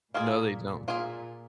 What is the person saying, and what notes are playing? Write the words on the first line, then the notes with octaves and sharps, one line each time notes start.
No, they don't.
A#2 A#3 F4 G#4
A#2 A#3 F4 G#4